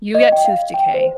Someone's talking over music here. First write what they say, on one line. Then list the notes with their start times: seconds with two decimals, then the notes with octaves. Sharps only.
you get tooth decay
0.15 D#5
0.32 G5
0.45 F5
0.74 G5
0.94 C5